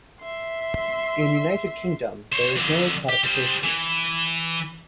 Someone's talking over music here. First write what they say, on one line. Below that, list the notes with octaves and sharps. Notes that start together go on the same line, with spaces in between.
In United Kingdom there is no codification.
E5 C6
C5 C#5
F2 D3
G4
G3 C5
E3